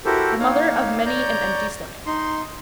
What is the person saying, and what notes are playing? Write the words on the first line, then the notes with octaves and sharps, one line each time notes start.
The mother of many an empty stomach.
E4 F#4 G4 A4 A#4 C5
A#3 D#4 C#5 F5
C#5 D5 A#5 G6
D#4 C6